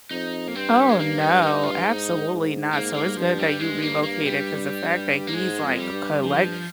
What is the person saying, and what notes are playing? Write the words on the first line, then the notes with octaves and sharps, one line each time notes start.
Oh, no, absolutely not. So it's good that you relocated 'cause the fact that he's like c collect
F2 D#4
A#3
G2 C4
G3
G#3
A#3
D#4
D#4
F4
G#2 D#4
G#2
G#2 A#3
A#3
G2 F3
G3
G2 G#3
A#3
A#3
G3
A#3
G#2 G#3
F2
G3
G2
G2 F3